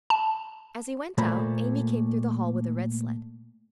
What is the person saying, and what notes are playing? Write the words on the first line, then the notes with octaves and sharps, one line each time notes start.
As he went out Amy came through the hall with a red sled.
A5
A#2 A3 A#3 C5 A#5 B5